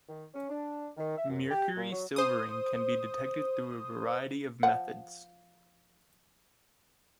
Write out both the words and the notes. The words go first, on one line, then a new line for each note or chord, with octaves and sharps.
Mercury silvering can be detected through a variety of methods.
D#3
C#4
D4
D#3
E5
F#2
G4
A#2
F#3
C5 D#6
F3 F#5